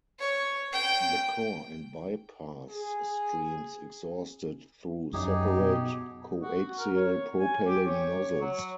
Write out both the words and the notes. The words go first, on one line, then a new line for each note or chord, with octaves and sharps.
The core and bypass streams exhausted through separate coaxial propelling nozzles.
C#5
G5
G#4
F#2 D#4 G4 G#4
B2
F#4
A#4
C#5
G#5
G4
C#5
F#3